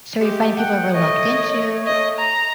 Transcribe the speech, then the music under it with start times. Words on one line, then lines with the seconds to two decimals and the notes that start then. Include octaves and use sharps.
So, you're finding people are reluctant to
0.20 G#3 A3 G4
0.57 F#5 G5
0.93 A3 C#5 D#5
1.86 D#5
2.18 A#5